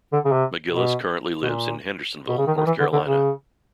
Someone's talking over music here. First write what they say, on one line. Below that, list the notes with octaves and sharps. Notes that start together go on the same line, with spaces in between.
McGillis currently lives in Hendersonville, North Carolina.
D3
C#3
C3
B2
B2
A#2
B2
C#3
D#3
D#3
E3
D3
D3
C#3